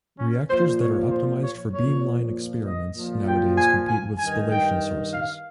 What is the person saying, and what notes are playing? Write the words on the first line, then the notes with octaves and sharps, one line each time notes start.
Reactors that are optimised for beamline experiments nowadays compete with spallation sources.
C#4
A#2 F3 C5
C#5
C5
C#5
A#2 F3 C#5
D#5
A#2 F3
G5
G#5
G#5
G2 D#3 G#5
G5
F5